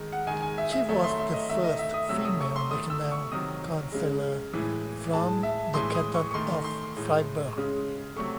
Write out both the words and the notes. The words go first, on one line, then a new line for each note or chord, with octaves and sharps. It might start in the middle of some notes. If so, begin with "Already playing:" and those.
She was the first female National Councillor from the canton of Fribourg.
Already playing: D#3 G#3
F#5
D#3 G#3 G#5
G#5
E5
E5
D#3 F#3 A3 E5
C6
E5
D#5
D#3 A3 E5
D#5
E5
D#6
C3 F#3 A3 E6
D#6
C#6
C6
D#3 A3 D#6
E6
C#6
C3 D#3 F#3 D#6
C#3 G#3
A2 E3 G#3
A2 G#3 A5
E5
A2 E3 G#3 C6
D#6
C#6
C#6
D#3 A3 C6
C6
A2 G#3
C#3 G#3
C3 F#3 A3 C#6